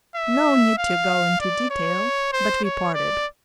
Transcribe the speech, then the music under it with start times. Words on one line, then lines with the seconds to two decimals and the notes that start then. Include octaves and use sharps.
No need to go into detail, but we parted.
0.15 E5
0.78 F5
1.40 D5
1.70 C#5
2.33 C5
2.64 C#5
2.94 D5